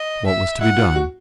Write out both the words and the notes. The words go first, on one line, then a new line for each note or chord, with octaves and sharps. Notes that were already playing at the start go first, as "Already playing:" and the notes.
What was to be done?
Already playing: D#5
E5
E4 F#5
F4
F#4